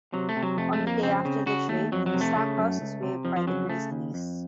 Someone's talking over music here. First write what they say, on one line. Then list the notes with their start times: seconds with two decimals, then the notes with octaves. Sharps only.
On the day after the trade, Stackhouse was waived by the Grizzlies.
0.13 C3 F#3
0.29 A3
0.36 C3
0.43 F#3
0.57 F2 A3
0.73 A3
0.80 F2
0.87 A#3
1.03 C#3 C4
1.25 C#3
1.46 C#3 F#4
1.69 D#2 A3
1.92 F2 F#3
2.06 F#3
2.14 C3
2.21 A3
2.36 C#3
2.58 F#2
2.81 C#2
3.03 C3
3.24 F2 F3
3.36 F3
3.47 C#3 F#3
3.69 C#3 A3
3.91 D#2
4.14 F2